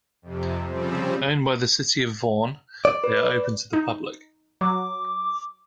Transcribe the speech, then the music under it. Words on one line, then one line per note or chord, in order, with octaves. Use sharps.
Owned by the City of Vaughan, they are open to the public.
F2 C3
C#3 F3 G3 C4
D5
B4
D#4
F#3 D6